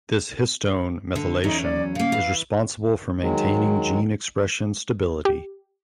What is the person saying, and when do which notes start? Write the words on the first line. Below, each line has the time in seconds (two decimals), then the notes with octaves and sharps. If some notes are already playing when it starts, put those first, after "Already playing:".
This histone methylation is responsible for maintaining gene expression stability.
1.16 D3
1.44 E2 F#3 C#4 D#4
1.63 D5
1.95 C#3 A#3 F5
2.12 E3
3.21 D#3 F#3 G#3
5.25 G4